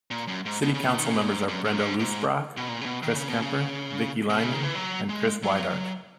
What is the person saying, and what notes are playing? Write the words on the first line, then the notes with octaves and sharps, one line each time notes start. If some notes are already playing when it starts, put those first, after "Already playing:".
City council members are Brenda Loosbrock, Chris Kemper, Vickie Leinen, and Kris Weidert.
A#2
F#2
G#2
B2
C#3
A#2
D#3
C#3
B2
A#2
G#2
F#2
G#2
F#2
G#2
G#2
B2
A#2
C#3
B2
D#3
C#3
B2
C#3
B2
C#3
D#3
E3
F#3
G#3
F#3